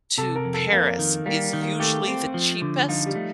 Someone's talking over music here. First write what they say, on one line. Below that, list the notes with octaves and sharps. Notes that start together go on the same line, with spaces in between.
to Paris is usually the cheapest,
C3 A4
A#4
F2
A4
F2 A#3
D#3
G3 A#3
D#3
A#3
A3 G4
C4
F3
D3
F3 D#4
G3
A3